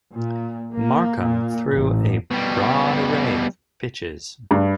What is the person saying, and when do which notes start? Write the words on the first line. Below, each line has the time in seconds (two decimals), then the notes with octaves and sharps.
Marcum threw a broad array of pitches.
0.11 A#2
0.75 A#3
1.21 A#2
1.70 A1
2.31 B2 G3
4.51 G2